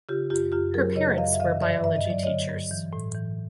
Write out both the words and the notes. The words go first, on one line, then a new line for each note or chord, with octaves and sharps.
Her parents were biology teachers.
C#3 F4 G4
F#2 F4 G4
F#2 F4 G4
F#3 G#4 A#4
C#3 C#5 D#5
F#2 D#5 F5
E5
D3 D#5 F5
G2 D5 E5
G2 E5
D#5
F#3 D5
D3 C#5 D#5
G2
E3
A2
E3